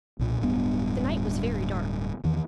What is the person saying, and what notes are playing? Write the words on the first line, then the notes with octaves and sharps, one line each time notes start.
The night was very dark.
B1 A#2
D1 G2 B3
E2 D#3 E3